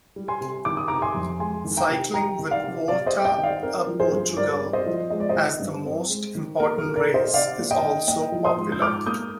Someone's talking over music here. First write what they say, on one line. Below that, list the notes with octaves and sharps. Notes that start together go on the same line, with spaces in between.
Cycling, with "Volta a Portugal" as the most important race, is also popular.
G3
G#5 C6
C3
D#3 D6
D#6
C3 A#5 D6
G#5 C6
F2
G#3 G#5 C6
D#3
G5 A#5
C3
G3 G5 A#5
D#3
D5 F5
C3
C3 D5 F5
C5 D#5
G3
D#5 G5
D#3
D5 F5
C4 A#4
F3
G#4 C5
G2
G2 A#4 D5
C4
C5 D#5
F3
G#3 D#5
D5
C5 D#5
D#3
G2
C4
G#3
D#3
A#3 A#4
A#4
D#3
A#4 D5
C3
C5 D#5
C3 D5 F5
A#3
D#5 G5
D#3
A#3 D#5 G5
F3
C6 D#6
G#2
G6
G#2 D6 F6
A#3 D#6 G6